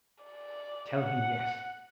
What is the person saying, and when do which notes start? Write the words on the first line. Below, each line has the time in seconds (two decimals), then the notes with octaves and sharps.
"Tell him yes!"
0.24 D5
0.96 F#5